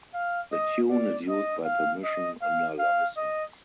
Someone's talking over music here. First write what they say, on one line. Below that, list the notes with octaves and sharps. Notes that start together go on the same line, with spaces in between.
The tune is used by permission under licence.
F5
D#5
D5
D#5
F5
D#5
F5
F5
D#5